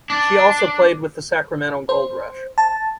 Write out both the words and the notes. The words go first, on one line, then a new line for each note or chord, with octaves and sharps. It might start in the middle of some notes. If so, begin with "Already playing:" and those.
She also played with the Sacramento Gold Rush.
D4
C5
A5